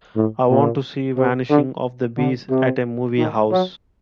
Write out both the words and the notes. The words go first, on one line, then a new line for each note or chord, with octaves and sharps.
I want to see Vanishing of the Bees at a movie house.
A2
A#2
C3
D3
D3
C3
D#3
F#3